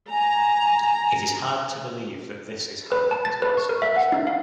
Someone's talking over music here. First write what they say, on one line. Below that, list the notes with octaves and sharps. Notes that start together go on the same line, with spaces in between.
It is hard to believe that this is happening to us in Israel.
G#5 A#5
B4
A5
A6
B4
C#6
A#4
E5
F#5
D#4
F5